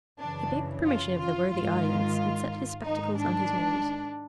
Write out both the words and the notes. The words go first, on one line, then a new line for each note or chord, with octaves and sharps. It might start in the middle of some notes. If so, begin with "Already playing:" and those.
He begged permission of the worthy audience, and set his spectacles on his nose.
F#2 C#3 E3 D4
F4
F4
G#2 D#3 F4
G#2 D#3 D#4
D4